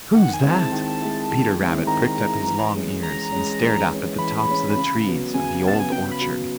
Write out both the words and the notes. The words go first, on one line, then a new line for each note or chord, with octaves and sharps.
"Who's that?" Peter Rabbit pricked up his long ears and stared up at the tops of the trees of the Old Orchard.
D#3 F#5
G#5
G#3 C4 E4
A5
D#3
G#3 C4 E4
D#3
G#3 C4 E4
D#3 A#5
G#3 C4 E4
E3
G#3 C#4
E3 A#5
G#3 C#4
E3
G#3 C#4
E3 B5
G#3 C#4
C#3
F#3 B3
C#3 G#5
F#3 B3 A5
G#5
C#3 G5
B5
F#3 B3